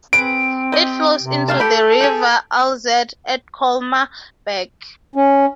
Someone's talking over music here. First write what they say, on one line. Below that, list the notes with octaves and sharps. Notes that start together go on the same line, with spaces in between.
It flows into the river Alzette at Colmar-Berg.
C4 G#4 B4 D7
G4 D#5
C3
A3 F5 A5
G4 A4 B5
G4 G#4
C#4